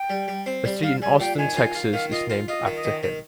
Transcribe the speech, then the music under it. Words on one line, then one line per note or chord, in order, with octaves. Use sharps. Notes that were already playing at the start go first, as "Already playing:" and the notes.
A street in Austin, Texas is named after him.
Already playing: G5
G3
G3
C4
G3
G3 F5
G3 G#5
A#2 G5
D#3 G#5
F4
F4
D#3 F5
F4 D#5
F4
F4 D#5
D#3
D#5
D#3
D#3